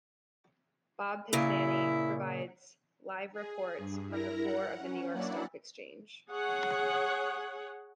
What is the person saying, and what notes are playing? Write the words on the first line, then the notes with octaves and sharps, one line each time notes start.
Bob Pisani provides live reports from the floor of the New York Stock Exchange.
A#2 C#3 E4
G#4
G2
E4 A#4 A#5
F#5
C#4
F#3 A#3 D4 E4 D5 F#5
G#4 C#5 F#5